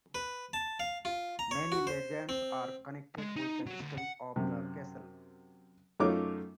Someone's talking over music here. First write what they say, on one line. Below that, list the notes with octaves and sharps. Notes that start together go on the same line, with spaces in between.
Many legends are connected with the history of the castle.
B4
A5
F5
F4
A#5
C#5
F#4
C5
C4
G#3
D#4
F#3
D2
F#5
F#2 C3
F#2 A3 D#4 F4 C#5 D6